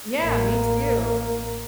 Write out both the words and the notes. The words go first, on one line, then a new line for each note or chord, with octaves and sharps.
Yeah, me too.
A1 A#3